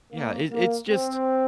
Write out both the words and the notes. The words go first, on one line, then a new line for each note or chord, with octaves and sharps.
Yeah, it it's just
A#3
A#3
C4